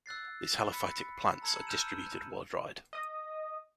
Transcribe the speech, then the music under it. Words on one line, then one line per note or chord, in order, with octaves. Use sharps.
These halophytic plants are distributed worldwide.
E6 F#6 A6 C7
B5 B6 C#7
A5 A#5 E6 G#6 C#7 F#7
E6 F6 G6 D#7 E7
D#5 D#6